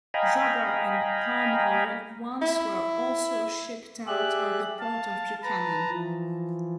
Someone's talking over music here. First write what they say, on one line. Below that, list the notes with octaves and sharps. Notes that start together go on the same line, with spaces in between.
Rubber and palm oil once were also shipped out of the Port Of Buchanan.
D#5 F5 G5 G#5 A#5 B5
E4
G4 G#4 D5 E5 F#6
F5 A5
B4 A5 A#5
E3 F3